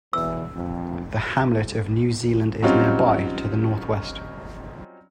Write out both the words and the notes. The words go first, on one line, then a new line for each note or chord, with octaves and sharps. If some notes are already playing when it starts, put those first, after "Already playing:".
The hamlet of New Zealand is nearby, to the northwest.
E2 B2 E3 E6
F2
F#3 G3 C4 C#4 D#4 F4